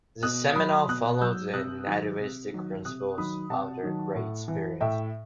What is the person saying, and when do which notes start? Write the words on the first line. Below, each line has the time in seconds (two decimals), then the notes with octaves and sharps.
The Seminole followed the nativistic principles of their Great Spirit.
0.23 B2 D#6 F#6
0.56 F#3 B5 D#6
0.89 B2 D#6 F#6
1.21 F#3 E6 G6
1.53 C3 D#6 F#6
1.87 D#3 F#3
2.19 C3
2.52 D#3 F#3
2.85 C3 D#6 F#6
3.18 D#3 F#3 B5 D#6
3.50 C3 F#5 A5
3.83 D#3 F#3
4.15 A2
4.48 E3
4.81 A2 E5 G5